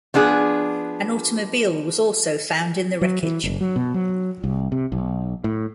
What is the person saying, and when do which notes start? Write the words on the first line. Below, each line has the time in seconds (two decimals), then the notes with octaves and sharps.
An automobile was also found in the wreckage.
0.14 F3 B3 D4 G#4
3.01 F#3
3.23 E3
3.44 F#1
3.61 F#3
3.76 B2
3.94 F#3
4.44 C2
4.72 C3
4.92 B1
5.44 A2